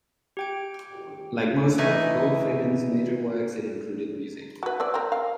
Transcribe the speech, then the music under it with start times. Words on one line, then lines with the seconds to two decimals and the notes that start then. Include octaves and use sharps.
Like most of Goldfaden's major works, it included music.
0.37 G4 G5 D7
1.78 B2 E3 A3 D#4 B4 G#5
4.63 F#4 B4
4.80 C4 B4 D5
4.94 C4 A#4
5.12 F5